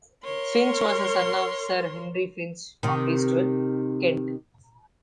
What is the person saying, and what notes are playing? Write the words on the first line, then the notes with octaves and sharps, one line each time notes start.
Finch was the son of Sir Henry Finch of Eastwell, Kent.
A#4 C#5 C6
C3 D#3